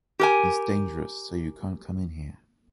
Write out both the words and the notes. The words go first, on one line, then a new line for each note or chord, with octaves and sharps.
It’s dangerous, so you can’t come in here.
G4 A#4 G#5